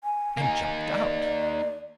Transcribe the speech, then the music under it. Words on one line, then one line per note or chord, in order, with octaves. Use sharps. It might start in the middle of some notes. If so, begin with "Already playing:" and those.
And jumped out.
G#5
A#3 D#4
D5